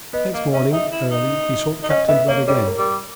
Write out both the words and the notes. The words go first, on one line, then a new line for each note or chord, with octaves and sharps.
Next morning early he sought Captain Blood again.
B3 D#5
A#3 D#5
C#4 E5
D#4 E5
E4
D#4
D#4
C#4 D#5
B3 E5
A#3 C#5
G3 C#5
A#4
G3